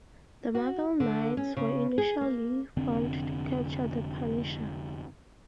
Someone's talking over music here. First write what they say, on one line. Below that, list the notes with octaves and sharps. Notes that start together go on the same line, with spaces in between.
The Marvel Knights were initially formed to capture the Punisher.
F#4
D3
C#4
C#3
G#4
A#3
F1 D3 C4